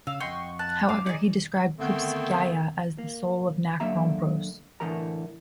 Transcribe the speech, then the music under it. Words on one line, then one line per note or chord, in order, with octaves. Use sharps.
However he described Krupskaya as the "soul of Narkompros".
C#3 F5 E6
F2 D#5 F#5 G5 C6 C#6
A5 F#6
F#2 D#4 C5 F5 D6
D#4 G#4 C#5 D5
D3 D#3 A3 B3 C4
A#3
D3 F#3 A#3 E5 A#5
A2 D3 E3 A3 A#4 A#5